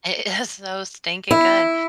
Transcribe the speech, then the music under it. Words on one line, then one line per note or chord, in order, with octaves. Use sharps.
It is so stinking good.
E4